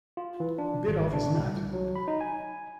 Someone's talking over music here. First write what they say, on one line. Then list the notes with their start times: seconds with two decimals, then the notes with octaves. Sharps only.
Bit off his nut.
0.17 F4
0.40 E3
0.58 D4
0.88 G#1
1.13 D4
1.39 C2
1.73 F#3
1.96 B5
2.08 D#4
2.21 G#5